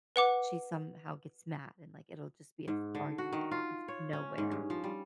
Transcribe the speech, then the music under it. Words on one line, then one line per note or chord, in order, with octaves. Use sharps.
she somehow gets mad and, like, it'll just be a f argument out of nowhere,
B4 F#5 D6
G#2
D3
F#4
D#3
F4
C#5
C#4
G#2
G2
F3
G3